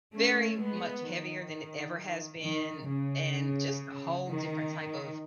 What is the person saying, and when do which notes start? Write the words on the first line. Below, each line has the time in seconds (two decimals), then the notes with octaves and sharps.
very much heavier than it ever has been, and just a whole different type of
0.13 A3 C#4
0.59 G#3 B3
1.06 D#3
2.43 D#3
2.88 C#3
4.26 D#3